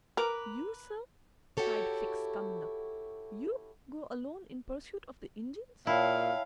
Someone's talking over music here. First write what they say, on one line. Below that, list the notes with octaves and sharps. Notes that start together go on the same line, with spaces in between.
"You, sir!" cried Fix, coming up; "you go alone in pursuit of the Indians?"
A#4 B4 A#5 D6
E4 F#4 G4 A4 C#5
A#2 E4 C#5 F5 G5 A5